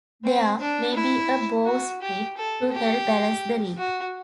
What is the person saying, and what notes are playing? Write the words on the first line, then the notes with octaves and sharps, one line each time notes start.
There may be a bowsprit to help balance the rig.
C4
D4
E4
F#4
G4
A4
G4
F#4